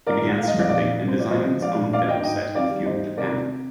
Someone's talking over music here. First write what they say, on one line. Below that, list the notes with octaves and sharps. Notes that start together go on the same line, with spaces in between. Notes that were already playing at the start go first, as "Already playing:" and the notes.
He began scripting and designing his own film set in feudal Japan.
D#3 A#4 D5
G#3
G#3 F5
D#5
F2 D5 F5
A#2 D5 F5
A#2
C3
C5
G#3 D5
F3 C5 D#5
F3
G#3 D5 F5
A#2
G2 D5 F5
G2 D#5 G5
G#2 D#5 G5
G#2
D#3 D5 F5
G3
G#2 C5 D#5
D#3
C3 A#4 D5
C3